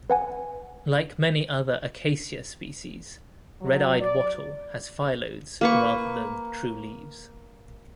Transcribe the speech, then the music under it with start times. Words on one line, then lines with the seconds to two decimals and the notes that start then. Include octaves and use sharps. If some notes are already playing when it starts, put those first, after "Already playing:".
Like many other "Acacia" species, red-eyed wattle has phyllodes rather than true leaves.
0.10 B4 F#5 G#5
3.60 F#3
4.00 D5
5.61 A#3 B4 C#6